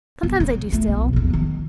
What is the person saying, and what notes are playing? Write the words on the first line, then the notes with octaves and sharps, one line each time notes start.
"Sometimes I do still."
G1
C#3
A3 F4
B1
A1 E2
D#3 D#4